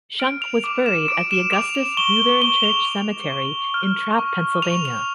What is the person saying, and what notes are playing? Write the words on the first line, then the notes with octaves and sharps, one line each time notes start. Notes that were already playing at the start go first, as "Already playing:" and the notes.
Shunk was buried at Augustus Lutheran Church Cemetery in Trappe, Pennsylvania.
F6 D7
F7
D6 F7
E7
D6 D7
E7
D6 F7
F7
C#6 G7
C#6 G7
F7
C#6 F7
C#6
F6
C#6
C#6 F7
F7